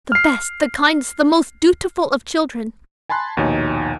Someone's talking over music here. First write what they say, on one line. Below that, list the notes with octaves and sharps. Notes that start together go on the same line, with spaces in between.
The best, the kindest, the most dutiful of children!
F6 C7
G#5 A5 B5 C6 F#6
A#1 D#2 B2 D#4 C#5 G#5